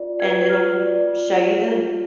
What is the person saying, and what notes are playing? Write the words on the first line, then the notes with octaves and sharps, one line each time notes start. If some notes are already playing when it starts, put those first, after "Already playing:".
and it'll show you the
Already playing: F4 D5
B4 G#6
F4 F6
D5
F4
C#5
F4